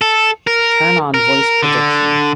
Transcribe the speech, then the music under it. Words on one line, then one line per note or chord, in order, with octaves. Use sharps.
Turn on voice prediction.
A4
A#4
A#4
D3